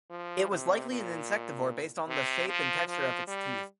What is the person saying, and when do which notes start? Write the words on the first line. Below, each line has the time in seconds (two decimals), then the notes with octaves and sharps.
It was likely an insectivore based on the shape and texture of its teeth.
0.10 F3
0.51 C3
0.89 A#2
2.08 C3
2.48 F3
2.88 F3
3.27 G3